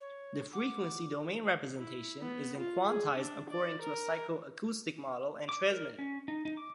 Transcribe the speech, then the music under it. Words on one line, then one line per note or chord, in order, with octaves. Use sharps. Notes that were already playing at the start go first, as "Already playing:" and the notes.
The frequency domain representation is then quantized according to a psycho-acoustic model and transmitted.
C#5
F#5 D6
E4
B3
F4
G#4
D4
D5
A#4
D6
A#4
C#4
D#4
D#4
D6